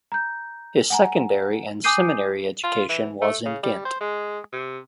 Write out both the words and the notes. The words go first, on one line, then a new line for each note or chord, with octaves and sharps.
His secondary and seminary education was in Ghent.
A#5 G6
F#5 G#5 A#5
G#5 D6 D#6 G6 C7 D#7
F4
E3
A3
C#3
G3
C5
G#3
C3